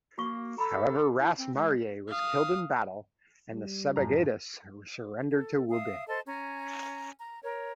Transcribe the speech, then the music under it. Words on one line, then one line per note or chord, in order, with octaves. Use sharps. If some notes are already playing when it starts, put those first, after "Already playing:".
However, "Ras" Marye was killed in the battle, and Sebagadis surrendered to Wube.
A#3 F#4 F5 C#6
A4 A#5 B5 E6
F#5
E4
C4
G#3
F5 D#6
G3
F#2 A2 A#5
A4
E5 F5 D#6
A4 C5 D#5 A5
C#4 G#5 A#5
A#5
A#4 C#5